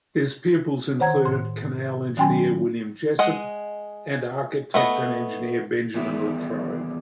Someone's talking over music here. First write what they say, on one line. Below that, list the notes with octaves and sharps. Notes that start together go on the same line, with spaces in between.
His pupils included canal engineer William Jessop and architect and engineer Benjamin Latrobe.
D#3 C5 C#5 F#5 A#5 G#6
A2 C6
D#3 F#3 C#4 G5 G#5 C6
G#3 D#5 F#5
A3 B3 D#5
D#2 E3 G3 B3 G#4 E5